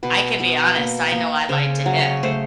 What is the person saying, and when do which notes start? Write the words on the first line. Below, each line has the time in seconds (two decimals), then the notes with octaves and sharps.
I can be honest. I know I lied to him
0.03 B2 B4
0.40 B2
0.76 A#3
1.12 A#3
1.49 C#3 C5
1.86 F#3
1.99 C#5
2.23 A3 C5